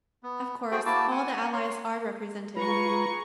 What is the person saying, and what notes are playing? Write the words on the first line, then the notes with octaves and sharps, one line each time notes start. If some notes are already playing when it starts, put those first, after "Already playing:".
Of course, all the allies are represented.
B3
A3 F#4 G#4 C5 G5
A#3 E4 F#4 A5 D6 E6
F#5 G#5
C#5 C6
G#3 F4 G#4 B4 A#5 C#6